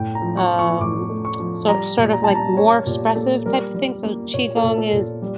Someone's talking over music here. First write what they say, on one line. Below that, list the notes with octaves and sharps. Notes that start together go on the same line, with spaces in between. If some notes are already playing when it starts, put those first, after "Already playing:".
um, sor sort of, like, more expressive type of thing. So qigong is,
Already playing: A2 G5
A#5
F3
C#6
F3
C#6
A2 D6
A3
C#6
F3
G3 A#5
A#2
A#5
G3 A5
A#5
A#3 C#5
A#2 G4
A#3 A4
G3 A#4
G3
A#3
A#2 C#5
A4
A#2
A4
A#2
G3